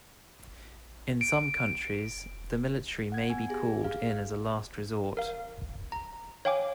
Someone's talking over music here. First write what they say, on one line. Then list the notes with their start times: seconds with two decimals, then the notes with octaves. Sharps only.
In some countries, the military may be called in as a last resort.
1.21 D7
3.12 F#5 G#6
3.30 B3 G#5
3.48 G4 G#4 G#5
3.84 G#4 F5
5.17 A#4 F5
5.92 A#5
6.45 C#5 F5 G5 G#5 D6